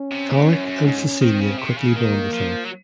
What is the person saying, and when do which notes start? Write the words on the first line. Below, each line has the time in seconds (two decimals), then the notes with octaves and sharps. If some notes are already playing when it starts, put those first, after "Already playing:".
Alec and Cecilia quickly bond with her.
Already playing: C#4
0.11 C3
0.30 A#2
0.48 F#2
0.67 F#2
0.85 G#2
1.22 D#3 C4
1.40 C#3
1.59 C3
1.77 C#3
1.96 D#3 A#3
2.33 F3
2.65 F#3